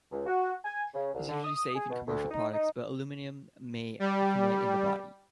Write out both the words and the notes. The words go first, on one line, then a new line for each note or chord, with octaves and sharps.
It is usually safe in commercial products, but aluminium may accumulate in the body.
C#2
F#4
G#5
C#3
C2
D3
D#6
G#4
B2
D2
D#4
D#4
G3